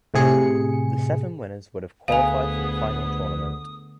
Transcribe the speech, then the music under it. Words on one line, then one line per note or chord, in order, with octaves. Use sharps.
The seven winners would have qualified for the final tournament.
A2 C3 G#4 C#7
D2 B3 G#4 F5 G#5 D#6